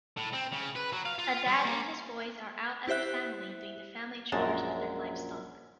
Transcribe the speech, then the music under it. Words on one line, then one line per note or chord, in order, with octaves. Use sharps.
A Dad and his boys are out as a family doing the family chores with their livestock.
A2
C4
C#3
B4
F#3
F5
F4
G3
A#3
E4 G4 C5 E5 F#6
A#1 F#2 G#3 A5